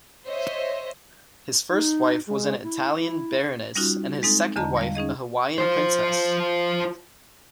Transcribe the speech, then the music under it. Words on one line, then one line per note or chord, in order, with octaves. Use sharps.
His first wife was an Italian Baroness and his second wife a Hawaiian princess.
C5 C#5 D#5 E5
D#4
G#3
E4
E4
G3 C#4 D#4 F4 F#4
G#3 C4 D#4 A4
E2 D3 D#5 A5 A#5
G3 F5
C#4 D#4 G#4 D#5
F4 C5